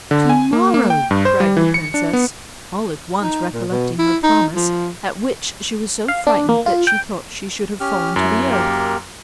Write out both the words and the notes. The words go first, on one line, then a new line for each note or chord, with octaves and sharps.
"To-morrow!" cried the princess, all at once recollecting her promise; at which she was so frightened that she thought she should have fallen to the earth.
D3
G#5
A#3
A#3
G5
G2
C5
G3
E3
C#7
D4
B3
D#4
A#2
B2
E4
D#4
F3
F5
D4
A#3
F4
G5
C#4 G4 F6
F#2 E4
A#3 G4 A#4